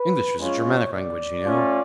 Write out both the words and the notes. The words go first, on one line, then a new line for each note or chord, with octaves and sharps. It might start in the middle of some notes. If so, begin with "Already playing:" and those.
English is a Germanic language, you know.
Already playing: B4
G#3 C#4 F4 C#5
D5
A3 C#4 F4